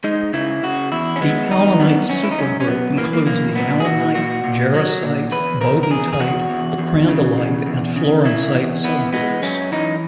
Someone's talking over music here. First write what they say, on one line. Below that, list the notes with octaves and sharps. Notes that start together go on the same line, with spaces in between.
The alunite supergroup includes the alunite, jarosite, beudantite, crandallite and florencite subgroups.
G#3 D#4
C#3 E4
C#3 F#4
E2 E4
C#4
G#3 B3
E2 D#4
F#2 B3
F#2 C#4
E4
D#4
F#2 C#4
C#4
F#2 B3
E3 A#3
A#3
F#2 A#3
A#2 B3
G#4
A#2 F#4
A#2 F#4
A#2
F#3
A#2
E2 B4
E2 A#4
A#4
E2 G#4
G#4
E2 F#4
E2
E2
C#3
E2
E2
C#3
C#3 E4
E2
E3 B3
G#3 B3
F#2 C#4
E3 D#4